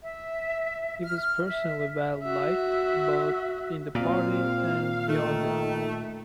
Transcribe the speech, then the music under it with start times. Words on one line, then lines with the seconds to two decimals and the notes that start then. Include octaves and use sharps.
He was personally well-liked, both in the party and beyond it.
0.02 E5
1.04 F6
1.19 F6
1.47 E5
2.23 F#4 E5
3.95 A#2 C4 F5
5.07 D#3 A3